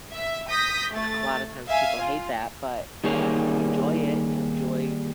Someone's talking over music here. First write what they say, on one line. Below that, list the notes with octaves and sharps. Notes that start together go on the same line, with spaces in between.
And a lot of times people hate that, but, you know, if you enjoy it, and you enjoy
E5
D#6 G6 A#6 B6
A3 A6
E5 F5 G#5
F4
D#3 G3 A#3 G#4 C#5